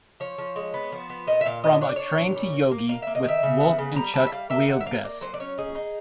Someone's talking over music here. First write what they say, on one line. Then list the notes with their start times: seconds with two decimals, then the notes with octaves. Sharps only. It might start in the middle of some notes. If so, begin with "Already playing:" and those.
"From A-Train to Yogi", with Wolff and Chuck Wielgus.
0.20 F3 C#5
0.38 F3
0.56 G#3
0.74 B3
0.92 F3
1.10 B3
1.27 A#2 D#5
1.41 E5
1.45 A#2 F5
1.64 B3 D#5
1.81 D4 C#5
1.89 D5
1.96 D4 C#5
2.17 A#2
2.36 G3
2.53 A#3
2.71 A#3
2.89 A#3 F5
3.02 A#3 E5
3.15 D#5
3.25 D#3 E5
3.43 C#3
3.60 B3
3.78 C#3
3.96 G3 A#5
4.14 G3 A5
4.26 E5
4.32 G3 F5
4.50 A#3 E5
4.68 D#3 F#5
4.80 E5
4.86 A#3 F5
5.04 A#3 D5
5.21 F#3 C5
5.34 D5
5.40 C#4 C#5
5.58 D#4 G#4
5.75 D#4